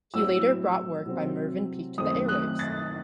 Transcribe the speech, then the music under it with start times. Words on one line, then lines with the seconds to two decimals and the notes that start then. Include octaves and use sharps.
He later brought work by Mervyn Peake to the airwaves.
0.14 A2 F#3 C4 E6
1.06 C3 F#3 C4
1.98 F#2 D#3 A3 C4 D#6
2.28 F#6
2.59 A6